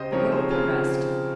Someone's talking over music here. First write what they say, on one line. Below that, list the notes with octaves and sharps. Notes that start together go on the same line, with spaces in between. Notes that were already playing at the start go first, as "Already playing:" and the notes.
The work progressed.
Already playing: C#3 G4 C5 D#5
F3 C4 D#4 A#4 C#5
G#4 C5
C#3 F4 G#4